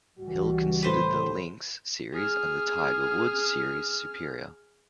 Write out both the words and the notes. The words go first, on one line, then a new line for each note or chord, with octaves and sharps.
Hill considered the "Links" series and the "Tiger Woods" series superior.
C#2 E3 G3 F#4
A2 B4 C5
G#4 F6